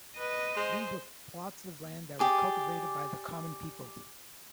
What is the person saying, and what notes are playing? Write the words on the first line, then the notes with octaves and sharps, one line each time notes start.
These were plots of land that were cultivated by the common people.
B4 D#5
G#3 C5
G4 G#4 D5